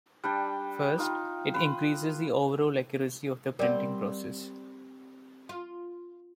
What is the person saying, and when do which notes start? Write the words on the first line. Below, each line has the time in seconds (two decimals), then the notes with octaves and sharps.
First, it increases the overall accuracy of the printing process.
0.24 G3 D4 G5
0.98 D#4 F4
1.54 B4 C6
3.59 G3 C4 A#4 D5 F#5
5.49 F4